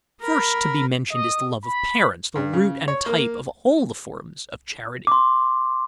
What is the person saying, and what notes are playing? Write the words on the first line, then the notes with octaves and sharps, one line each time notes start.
First to be mentioned is the love of parents, the root and type of all the forms of charity.
A#4 B5
D#5
B5
G2
C#3
C#5
A#3
C6 D6